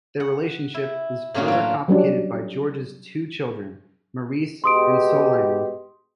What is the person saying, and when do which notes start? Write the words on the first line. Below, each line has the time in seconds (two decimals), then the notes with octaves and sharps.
The relationship is further complicated by George's two children: Maurice and Solange.
0.20 F#5
0.74 E4
1.34 A2 A#3 C#4 D4 F4 F#4
1.48 F#3 F4
1.88 F#3 G3 C#4 D4
4.64 B2 G#3 G4 C6 D#6 D7